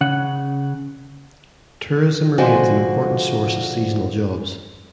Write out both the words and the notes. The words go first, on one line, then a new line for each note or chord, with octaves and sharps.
Tourism remains an important source of seasonal jobs.
C#3 F#5
B2 D3 F3 F#4 C5 G#5